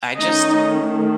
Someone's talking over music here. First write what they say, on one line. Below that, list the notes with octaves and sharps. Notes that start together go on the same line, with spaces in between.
I just
D#3 A3 C#4 D#4 D#5